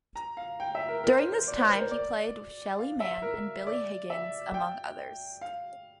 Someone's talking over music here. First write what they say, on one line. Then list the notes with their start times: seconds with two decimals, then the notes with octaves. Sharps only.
During this time he played with Shelly Manne and Billy Higgins, among others.
0.15 A#5
0.37 F5
0.60 G5
0.75 E5
0.88 A#4
1.04 A#4
1.18 C5
1.32 C5
1.48 D5
1.58 C5
1.69 C5
1.75 A#4
1.81 C5
1.91 D5
2.79 F5
3.00 E5
3.22 A#4
3.67 D5
4.10 E5
4.54 G5
5.41 F5